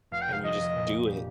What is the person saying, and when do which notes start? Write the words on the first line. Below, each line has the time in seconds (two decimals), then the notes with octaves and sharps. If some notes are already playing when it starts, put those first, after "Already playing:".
and you just do it.
0.11 F1 F5
0.22 G5
0.27 C3
0.33 F5
0.43 F3 D#5
0.59 F2
0.76 A#2
0.91 D4
1.07 G4